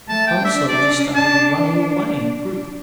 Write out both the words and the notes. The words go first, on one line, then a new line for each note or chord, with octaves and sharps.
Some soldiers started running away in a group.
A3 A5
G5
D4 E5
D5
A5